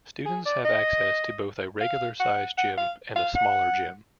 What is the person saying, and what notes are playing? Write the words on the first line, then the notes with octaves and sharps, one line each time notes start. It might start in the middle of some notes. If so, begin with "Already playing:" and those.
Students have access to both a regular sized gym and a smaller gym.
G#4
D5
D#5
F5
F#5
F#5
F5
F5
F#5